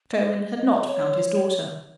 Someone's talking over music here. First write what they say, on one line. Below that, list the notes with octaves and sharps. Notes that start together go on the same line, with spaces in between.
Sherwin had not found his daughter.
D#5
C#5